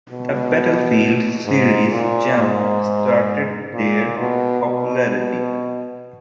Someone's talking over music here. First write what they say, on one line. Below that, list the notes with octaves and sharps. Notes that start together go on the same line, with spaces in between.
The "Battlefield" series jump-started their popularity.
B2
G#2
A#2
G#2
A#2
B2
B2